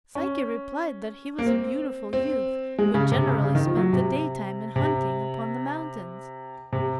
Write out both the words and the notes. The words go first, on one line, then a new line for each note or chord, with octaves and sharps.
Psyche replied that he was a beautiful youth, who generally spent the daytime in hunting upon the mountains.
C#4
A#3
C4
C4
G#3
C#3
C3
C#3
C#3
D#3
F3
F#3
C3
C3
C3